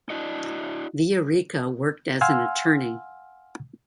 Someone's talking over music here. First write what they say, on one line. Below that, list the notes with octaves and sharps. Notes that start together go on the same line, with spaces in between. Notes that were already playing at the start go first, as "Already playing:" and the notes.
Villarica worked as an attorney.
D4 E4 F#4 D#5
F5 F#5 G#5 C6 E6 F6